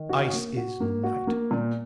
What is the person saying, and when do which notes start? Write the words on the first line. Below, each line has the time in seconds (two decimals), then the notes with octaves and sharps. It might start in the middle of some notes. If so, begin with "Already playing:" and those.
Ice is night.
Already playing: D#3
0.09 F#4
0.33 A#3
0.57 F#4
0.80 A#3
1.03 F#4
1.27 A#3
1.51 A#2